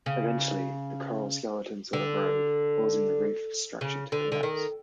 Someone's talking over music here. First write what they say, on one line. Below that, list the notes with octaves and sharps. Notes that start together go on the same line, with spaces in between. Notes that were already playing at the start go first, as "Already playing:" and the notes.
Eventually, the coral skeletons will erode, causing the reef structure to collapse.
C#3
D3
C#3
D3
D3
D#3